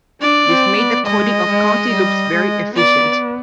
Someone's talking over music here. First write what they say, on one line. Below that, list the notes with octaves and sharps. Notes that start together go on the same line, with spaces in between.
This made the coding of counting loops very efficient.
D4 D5
C4
B3
G#3 D#5
G#3
G3
G#3
B3 D5